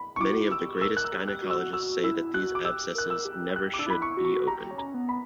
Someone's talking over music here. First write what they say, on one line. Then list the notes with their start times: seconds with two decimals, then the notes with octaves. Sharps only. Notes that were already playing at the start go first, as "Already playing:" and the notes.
Many of the greatest gynecologists say that these abscesses never should be opened.
Already playing: B5
0.16 C#6
0.20 E4 D6
0.31 F#4
0.41 E4
0.51 G4 E6
0.82 A#4 E6
0.97 F#6
1.04 E6
1.13 G4
1.28 F#6
1.42 F#4
1.50 E6
1.73 F#4 E6
2.03 E4 E6
2.34 F#4 F#6
2.55 D6
2.65 G4 E6
2.95 A#4 F#6
3.10 E6
3.25 G4
3.56 G4 F#6
3.74 D6
3.79 D4 E6
3.86 E4 B5
4.02 C#6
4.17 F#4
4.25 C#6
4.47 G4 A#5
4.71 C#4
4.78 A#5
4.94 B3
5.09 B5